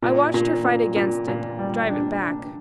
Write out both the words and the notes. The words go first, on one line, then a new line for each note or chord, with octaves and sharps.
I watched her fight against it, drive it back.
A#2
A#2
A#2
A#2
A#2
G3
D4
D4